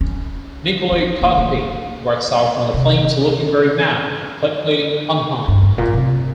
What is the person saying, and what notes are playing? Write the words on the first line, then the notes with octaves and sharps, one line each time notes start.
Nicolae Carpathia walks out from the flames looking very mad, completely unharmed.
C#4
C4
A#3
A#3
C3
G2
G#2
A#2
C3